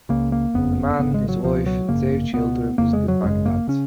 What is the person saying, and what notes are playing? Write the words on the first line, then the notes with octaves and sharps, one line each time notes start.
The man, his wife, and two children visited Baghdad.
C#2 C#3 A#3
A#3
F#1 F2 C#3 B3
G#1 F#2 C#3 B3
G#3
F#3
C#2 B2 F3
F#3
G#1 F#2 C#3 A#3
C#2 B2 B3
F1 F2 C#3 A#3
G#3
F#3
G#1 F#2 C#3 G#3
A#3
C#3 C#4